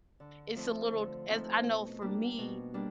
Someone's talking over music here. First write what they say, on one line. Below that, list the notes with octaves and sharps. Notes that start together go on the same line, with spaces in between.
it's a little as I know for me,
D3
F3 A3 C4 D#4
D3
F3 A3 C4 D#4
B2
G3 A#3 D4
B2
G3 A#3 D4